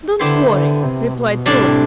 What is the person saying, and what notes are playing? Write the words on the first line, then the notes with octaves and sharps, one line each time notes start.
"Don't worry," replied Trot.
D3 B3 E4 G4 C5 E5
D3
C3
B2
A2 C3 G3 D4 G4